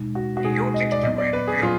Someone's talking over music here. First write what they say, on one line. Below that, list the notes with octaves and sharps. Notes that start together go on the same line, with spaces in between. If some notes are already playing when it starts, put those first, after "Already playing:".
Neo takes the red pill.
Already playing: B2 G#3 D#4
F#4
F#4
B2 G#3 D#4 G#4
D#5
D5
A#2 F#3 B3 D#5
D5
B4
G#4
A#2 F#3 F4